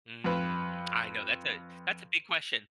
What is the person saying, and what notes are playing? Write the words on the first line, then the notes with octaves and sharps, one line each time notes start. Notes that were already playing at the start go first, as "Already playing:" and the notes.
Mm, I know that's a, that's a big question.
F2 B4